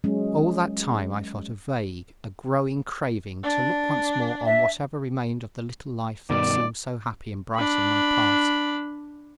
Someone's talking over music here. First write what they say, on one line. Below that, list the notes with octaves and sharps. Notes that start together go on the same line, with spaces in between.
All that time I felt a vague, a growing craving to look once more on whatever remained of the little life that seemed so happy and bright in my past.
F#3 G#3 C#4
D4
E5
G2 B2 D#3 D5
D4 B5